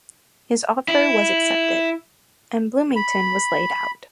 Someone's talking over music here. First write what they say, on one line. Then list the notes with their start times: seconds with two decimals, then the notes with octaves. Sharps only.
His offer was accepted, and Bloomington was laid out.
0.88 E4
2.96 B5